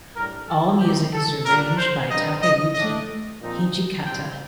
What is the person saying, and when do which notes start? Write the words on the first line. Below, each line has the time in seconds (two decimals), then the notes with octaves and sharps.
All music is arranged by Takayuki Hijikata.
0.16 A2 G3 D4 A#4
0.48 A4
0.80 C3 G3 C4 D#4 G4
1.13 A4
1.46 A#2 G3 D4 A#4
1.78 C5
2.10 G2 D3 G3 C4 D#4 D#5
2.42 D#5
2.75 A2 A3 D4 D#5
3.40 A#2 F3 C4 D#4
4.04 A2 G3 C4 G5